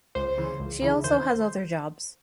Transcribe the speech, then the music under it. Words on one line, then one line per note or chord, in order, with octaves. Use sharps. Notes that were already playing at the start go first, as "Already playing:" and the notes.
She also has other jobs.
C#2 C5
C#3 E3
C#2
C#3 E3
D#2 C5